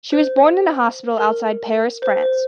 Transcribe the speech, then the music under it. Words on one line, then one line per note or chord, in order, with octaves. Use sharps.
She was born in a hospital outside Paris, France.
C5
A#4
C5
C5